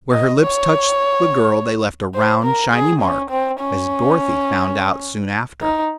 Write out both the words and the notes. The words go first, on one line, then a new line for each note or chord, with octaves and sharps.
Where her lips touched the girl they left a round, shining mark, as Dorothy found out soon after.
D#5
C#5
C5
A#4
G#4
C#4
C4
C#4
D#4